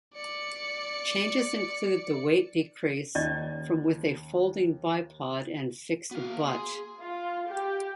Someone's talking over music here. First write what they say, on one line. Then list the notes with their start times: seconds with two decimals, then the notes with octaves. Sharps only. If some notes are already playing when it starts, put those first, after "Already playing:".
Changes include the weight decrease from with a folding bipod and fixed butt.
0.14 D5 C#7
3.15 D#2 C#4 D5 D#5
6.11 B3 F#4 F5
6.28 A#3
6.45 G#4 C6
7.00 F4
7.48 G4